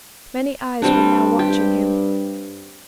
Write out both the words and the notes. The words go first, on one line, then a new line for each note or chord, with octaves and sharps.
Many eyes were now watching him.
G2 G3 C4 D4
G4